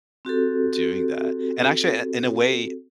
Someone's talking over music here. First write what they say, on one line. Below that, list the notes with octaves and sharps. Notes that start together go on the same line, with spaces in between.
doing that. And actually, i in a way,
C4 F#4 G4 A4